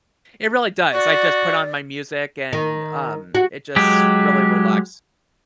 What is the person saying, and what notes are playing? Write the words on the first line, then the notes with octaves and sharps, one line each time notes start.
It really does. I just put on my music and, um, it just really relax
F#4 D5
D#3
F#4
F#3 G#3 G4